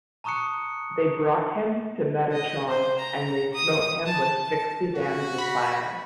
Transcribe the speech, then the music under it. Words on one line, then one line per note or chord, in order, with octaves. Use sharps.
They brought him to Metatron and they smote him with sixty bands of fire.
A5 A#5 C#6 D#6 F#6 C#7
D#5
C5
A#5
D#6
A5
A5
F#4
B5